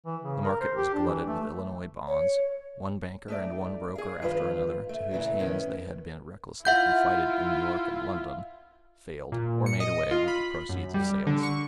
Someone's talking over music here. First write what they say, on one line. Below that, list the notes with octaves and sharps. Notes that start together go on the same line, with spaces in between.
The market was glutted with Illinois bonds; one banker and one broker after another, to whose hands they had been recklessly confided in New York and London, failed, or made away with the proceeds of sales.
E3
C#3
A#4
C5
G4
D4
E3
A3
C#5
A3 D#4 D5
G#4 F5
G2 D#3 F3 F4 B4 F5
A3
A#2 C#3 E3 A3
C3 D#3 B3 C#4
E4 F4 E5 F#5 G6
A#2
C#7
D#5
F4
B5
F#2
G3
D3
C#6